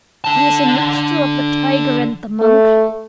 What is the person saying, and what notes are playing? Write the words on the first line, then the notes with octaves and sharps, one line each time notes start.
He is a mixture of the tiger and the monkey.
D3 A5
A3